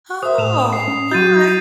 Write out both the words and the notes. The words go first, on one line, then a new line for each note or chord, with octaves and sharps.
Oh, alright.
C5 E5 D#6
A2 E7 F7
C7
C#4
F#3 F#4 G6 A6 D#7